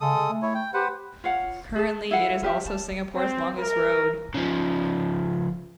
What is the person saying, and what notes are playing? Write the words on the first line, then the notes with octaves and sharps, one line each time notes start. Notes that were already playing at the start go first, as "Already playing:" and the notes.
Currently, it is also Singapore's longest road.
C#3 G#3 A4 D#6
C#3
A3
E4 C#5
G5
G4 B4 C5 F#5
F4 C#5 F5 F#5
G#4 A4 A5
E4 A4 F5 F#5
F4 G4 E5
A5
C4
A#4
C#3 F3